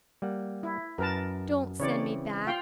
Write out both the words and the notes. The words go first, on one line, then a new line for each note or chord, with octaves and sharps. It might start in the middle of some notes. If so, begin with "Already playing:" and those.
Don't send me back!
G3 A#3 F#5
E4
F#2 A#4 B4 A5
C#3 E3 C4 C#5 D5
F4 F5 G5